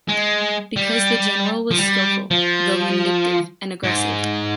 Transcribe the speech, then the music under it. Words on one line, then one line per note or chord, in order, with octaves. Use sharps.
Because the General was skillful, though vindictive and aggressive.
G#3
G3
F3
G3
F3
G#2